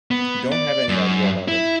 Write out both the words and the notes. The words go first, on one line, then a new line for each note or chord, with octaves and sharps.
Don't have any idea about it.
B3
D5
F#2
E4